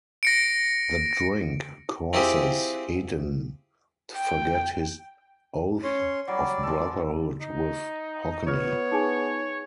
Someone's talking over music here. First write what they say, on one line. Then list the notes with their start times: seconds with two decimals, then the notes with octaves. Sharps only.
The drink causes Hedinn to forget his oath of brotherood with Hogni.
0.23 A#6 C#7 D7
2.13 C4 E4 F4 G4 G#4 C5
4.16 G5
5.84 C#4 C#5 C6
6.27 F#3 G3 D5
6.63 G#3 A4
7.42 D#4
8.47 B3 F4 B4 C#5
8.92 D#4 G#4 G#5